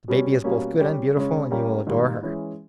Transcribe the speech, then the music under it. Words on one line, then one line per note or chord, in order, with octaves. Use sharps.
The baby is both good and beautiful, and you will adore her.
B2 G3 C#4
B2 G3 A#3 C#4
G3 C#4 G4
C#3 G#3 C#4
G3 A#3 C#4 G4 A#4
G#2 D#3 G3 A#3
E3 G#3 C#4 E4